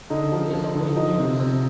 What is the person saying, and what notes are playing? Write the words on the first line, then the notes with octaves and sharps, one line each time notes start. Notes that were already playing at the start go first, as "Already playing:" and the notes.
It is a great news.
D3 D#4
F3
F3
D3
F3 D#4
C3
C3